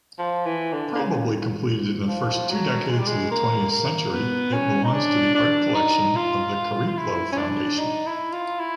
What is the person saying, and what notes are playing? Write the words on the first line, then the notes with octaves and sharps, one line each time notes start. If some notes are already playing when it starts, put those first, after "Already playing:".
Probably completed in the first two decades of the Twentieth Century, it belongs to the art collection of the Cariplo Foundation.
F3
E3
D3
D3
C#3
F3
F#3
G#3
G3
G#3
A#3
A#3
B3
C#4
D#4
D4
D4
D#4
F4
F4
E4
C#4
D4
D#4
E4
F4
E4